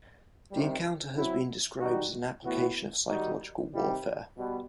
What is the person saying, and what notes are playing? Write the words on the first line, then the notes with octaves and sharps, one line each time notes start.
The encounter has been described as an application of psychological warfare.
C3 D#3 G3
F#3 C4 E4
D#3 G3 D#4 F#4
A2 E3 B3 F#4
D#3 G3 D#4 F#4
C3 D#3 G3
B2 G3 B3